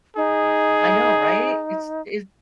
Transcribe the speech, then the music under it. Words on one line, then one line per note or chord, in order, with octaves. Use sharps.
I know, right? It's it's
D#4 G#4